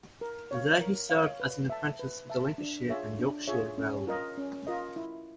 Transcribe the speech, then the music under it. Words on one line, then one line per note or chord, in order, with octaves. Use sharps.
There he served as an apprentice with the Lancashire and Yorkshire Railway.
A#4
C#5 F5
A#4
C#5 F5
B4
E5 A5
B4
E5 A5
D4
F4 G#4 C#5 E5
D4
F4 G#4 C#5 E5
C#4
F4 A#4 D#5
C#4
F4 A#4 D#5
E4